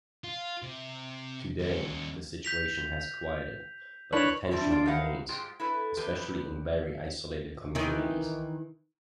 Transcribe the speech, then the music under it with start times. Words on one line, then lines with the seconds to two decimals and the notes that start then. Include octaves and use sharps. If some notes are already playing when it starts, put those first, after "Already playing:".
Today, the situation has quieted but the tension remains, especially in very isolated communities.
0.24 F4
0.63 C3
1.59 D#2 C#4
2.45 G6 B6 F7
4.13 D4 E4 A#4 B4 C#5 F7 F#7
4.51 G3 C4 D4 E4
4.71 D4 F4 D5
4.85 D#3 E3 D#4 F5 F#5
5.29 G#2 G#3 F4 G4
5.60 E4 A4 B4
5.97 E2 G4 B4
7.75 D#3 E3